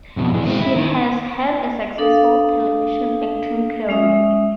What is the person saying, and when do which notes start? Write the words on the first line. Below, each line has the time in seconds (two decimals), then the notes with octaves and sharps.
She has had a successful television acting career.
0.17 F2 B2
0.34 E3 G#4
0.47 G#3 C4
0.61 E4
0.76 D#3
1.98 D4 A4 F5 D#6
3.89 G#3 C#4 E5 D#6